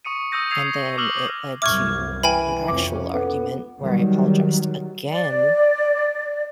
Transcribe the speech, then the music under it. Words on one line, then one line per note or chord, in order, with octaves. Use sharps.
And then it led to an actual argument where I apologized again,
C#6 D#6 C#7 D#7
D#6 E6 G6 A#6 D#7
D#6 E6 G#6 C7 F7
D6 E6 F6 F#7
C2 F#2 E5 C#6 D6 F6 G#6
E3 G5 G#5 B5
F2 C#4 D6
B3 A4
D#3 F#3 G3
D5